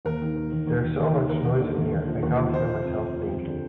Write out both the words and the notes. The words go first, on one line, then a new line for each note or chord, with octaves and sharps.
There is so much noise in here, I can't hear myself think.
D#2 A#4
D#3
D#2
D#2
D#2
D#2
D#2
D#3
D#2 A#4
D#2
D3
D#2
D#2
F3
D#2
F3
F3 C5
F3
F2
F2
F2
F2
D3